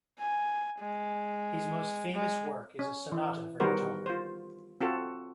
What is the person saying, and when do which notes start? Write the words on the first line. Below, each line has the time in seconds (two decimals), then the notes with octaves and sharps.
His most famous work is a sonata for guitar.
0.19 G#5
0.79 G#3
2.14 G#3
2.79 C#4
3.12 E3
3.60 D#3 G3 B3 F#4 A#4 C5
4.06 F4 C5
4.81 C4 F4 F#4 A4